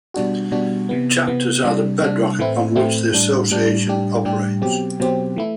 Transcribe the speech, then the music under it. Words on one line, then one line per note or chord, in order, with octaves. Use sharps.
Chapters are the bedrock upon which the association operates.
B2 G3 D4 F#4
B2 G3 D4 F#4
C3 E3 B3
C3 E3 B3
C3 G3 D4
C3 G3 D4
A2 E3 A3 C4 E4
A2 E3 A3 C4 E4
A2 G3 D4
A2 G3 D4
A2 G3 D4 G4
A2 G3 D4 G4
B2 F#3 C4 G4
B2 F#3 C4 G4
E3 A3 E4